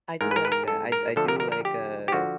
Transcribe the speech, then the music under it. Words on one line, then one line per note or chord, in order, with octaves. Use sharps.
I do like that, I I do like, uh,
G#2 E3 A#4
B4
A#4
B4
A#4
A4
A#4
D2 D3 F3 A4
A#4
A#4
A#4
G4
G4
D3 F3 F#4